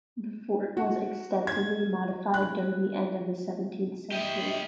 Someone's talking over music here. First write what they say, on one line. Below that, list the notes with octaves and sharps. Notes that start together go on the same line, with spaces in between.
The fort was extensively modified during the end of the seventeenth century.
F#4
G#6
F#6
G4 D#5 E5